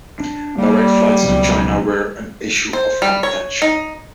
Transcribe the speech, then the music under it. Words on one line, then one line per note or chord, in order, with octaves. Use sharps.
Direct flights to China were an issue of contention.
D4
G3 A#3
C#2 B2 F#3
C5
G3
C#5
D#4